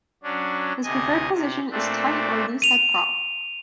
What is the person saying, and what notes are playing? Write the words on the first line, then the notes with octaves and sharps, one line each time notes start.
His preferred position is tight or loosehead prop.
F#3 C#4 D4
D2 C3 D#5 G#5
C3
A#2 A3 C4 D4
D#7 F7